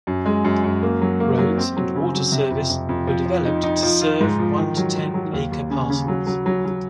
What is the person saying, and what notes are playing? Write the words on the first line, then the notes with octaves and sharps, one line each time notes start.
Roads and water service were developed to serve one to ten acre parcels.
F#2
G#3
F#2
F#2
A#3
F#3
A#3
F#3
C4
F#3
C#3
F#3
C3
F2
F2
F2
F3
F3
D#4
D#4
F3
F4
G#2
F3
D#3
F#3
D#3
F#3
D#2
D#2
C#3
C#3
F#3
F#3
F#3
F#3